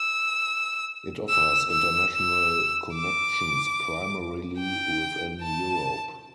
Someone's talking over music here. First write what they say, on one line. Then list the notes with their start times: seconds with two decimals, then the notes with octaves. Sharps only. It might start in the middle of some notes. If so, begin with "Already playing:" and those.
It offers international connections primarily within Europe.
Already playing: E6
1.30 E6
1.70 E6
2.12 E6
2.95 D6
4.59 G5
5.42 A5